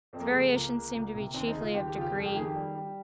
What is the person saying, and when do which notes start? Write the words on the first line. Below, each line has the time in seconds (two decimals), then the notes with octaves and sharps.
Its variations seem to be chiefly of degree.
0.13 F2 C4
0.20 A#3
0.26 G#3
0.33 C#3
0.40 G#3
0.53 C#2 A#3
0.74 C#3
0.93 C#2
1.14 C3
1.34 D#2 C4
1.48 D#4
1.54 C#3
1.61 F4
1.74 D#2 G4
1.87 G4
1.94 C#3 F4
2.01 G4
2.15 F2 G#4
2.25 G4
2.35 D#3 G#4
2.45 G4
2.55 G3
2.75 G3